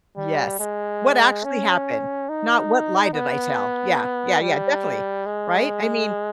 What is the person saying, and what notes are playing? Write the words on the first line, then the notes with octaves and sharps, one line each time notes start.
Yes. "What actually happened?" Not, "What lie did I tell?" Yeah. Yeah, yeah. Definitely. Right? I mean
G3
G#3
C#4
D#4
B3
G3
G#3